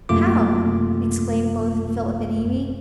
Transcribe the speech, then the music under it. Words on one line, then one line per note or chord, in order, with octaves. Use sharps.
'How?' exclaimed both Philip and Amy.
F#2 C3 A3 A#3 F4 D6